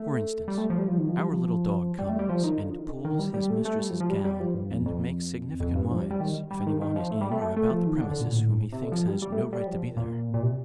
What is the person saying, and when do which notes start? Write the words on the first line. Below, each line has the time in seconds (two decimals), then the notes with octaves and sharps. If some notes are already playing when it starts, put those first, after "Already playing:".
For instance, our little dog comes and pulls his mistress's gown and makes significant whines, if any one is in or about the premises whom he thinks has no right to be there.
Already playing: A3
0.48 G3
0.58 A3
0.70 F3
0.78 G3
0.88 F3
0.98 D#3
1.09 F3
1.18 G3
1.29 F3
1.99 G3
2.09 A3
2.19 G3
2.29 F3
2.44 D#3
2.59 D3
2.69 F3
2.79 D#3
2.89 D3
3.05 D#3
3.19 G3
3.34 G3
3.50 A3
3.65 A3
3.79 G3
3.90 F3
4.00 F3
4.10 G3
4.25 G3
4.40 F3
4.54 G2
4.70 F2
4.85 F2
5.60 F2
5.75 G2
5.91 F3
6.00 G3
6.11 G3
6.20 D#3
6.51 G3
6.66 D#3
6.82 D#3
6.96 F3
7.11 A3
7.21 G3
7.31 A3
7.41 A3
7.56 A3
7.71 F3
7.87 D#3
8.01 D3
8.11 D3
8.21 A#2
8.31 A2
8.72 C3
8.82 D3
8.92 F3
9.07 G3
9.22 G3
9.32 A3
9.53 G3
9.67 F3
9.83 A#2
9.97 A#2
10.34 A#2
10.42 C3